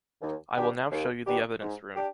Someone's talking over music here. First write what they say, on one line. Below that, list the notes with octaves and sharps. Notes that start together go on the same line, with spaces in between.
I will now show you the evidence room.
D#2
D#3 B3 D4 G4
D#2
D#3 B3 D4 G4
G#2
D4 G4